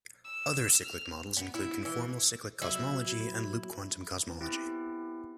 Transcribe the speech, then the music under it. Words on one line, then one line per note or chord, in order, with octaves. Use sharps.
Other cyclic models include Conformal cyclic cosmology and Loop quantum cosmology.
E6
F6
B3
E4
E3
F#3 E4
B3 C4 E4 G4